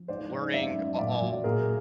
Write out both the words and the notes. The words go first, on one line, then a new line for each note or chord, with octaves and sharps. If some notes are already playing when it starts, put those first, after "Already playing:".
learning a all
Already playing: F3
G#2 C5 D5
G#2
F#2 D5 E5
F#2
A#2 D5 E5
F#3
A#2 G#4 A#4